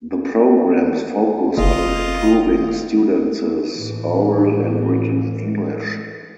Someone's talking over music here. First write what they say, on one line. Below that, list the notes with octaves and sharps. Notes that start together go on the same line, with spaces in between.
The programs focus on improving students' oral and written English.
F#1 F4 D#5
A2 E3